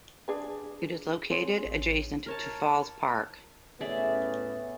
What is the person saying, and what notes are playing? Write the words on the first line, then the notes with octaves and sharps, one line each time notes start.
It is located adjacent to Falls Park.
D4 G#4 B4
C4 G#4 C#5
A1
A#4 C#5 A5
A2 B3 C#4 G#4 D5 E5